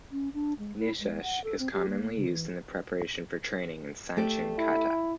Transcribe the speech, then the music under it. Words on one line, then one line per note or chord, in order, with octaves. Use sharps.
Niseishi is commonly used in preparation for training in Sanchin kata.
C#4
D4
G#3
E4
G#3
F#5
A4
C4
G4
A#3
C#3
E3
A3 G4 D5
E4